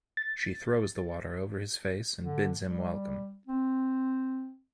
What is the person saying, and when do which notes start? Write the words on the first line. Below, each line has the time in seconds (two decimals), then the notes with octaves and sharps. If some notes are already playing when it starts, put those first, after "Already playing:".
She throws the water over his face and bids him welcome.
0.17 A6
2.20 D3
2.65 G3
3.47 C4